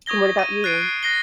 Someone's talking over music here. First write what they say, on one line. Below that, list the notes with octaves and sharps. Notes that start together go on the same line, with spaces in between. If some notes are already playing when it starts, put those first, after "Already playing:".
And what about you?
C#6 D#6 G#6 A#6 G7
D#7
F#6 A6 C7 D7 D#7
C7
F#6 A#6 C7 G7